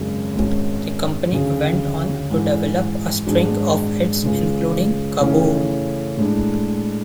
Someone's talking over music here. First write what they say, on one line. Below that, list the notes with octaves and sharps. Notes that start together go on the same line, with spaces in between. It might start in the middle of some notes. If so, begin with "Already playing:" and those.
The company went on to develop a string of hits including Kaboom!
Already playing: G#1 F#2 C#3 G#3
G#1 G#2 G#3 C#4 F#4
D2 C#3 F#3 C#4 G#4
A1 G#2 E3
G#1 G#2 G#3 D4 F#4
C#2 C#3 G#3
C#3 E3 A3 C#4
A2 G#3 D4